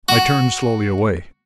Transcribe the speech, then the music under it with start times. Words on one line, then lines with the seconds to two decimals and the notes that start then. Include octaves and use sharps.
I turned slowly away.
0.09 F#4